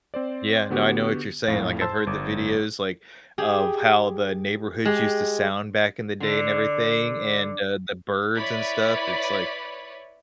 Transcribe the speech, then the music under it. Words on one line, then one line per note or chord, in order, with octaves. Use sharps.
Yeah, no, I know what you're saying. Like, I've heard the videos, like, of how the neighborhoods used to sound back in the day and everything and, uh, the birds and stuff, it's like
C4 C5 D5
D3 B3 F#4 G4
A#1 F2 A2 F5
C5 A5 C6 E6 A6
G1 D6
G4 G#4
G#3 G4
D3
E4 B4 C#5 D5 B5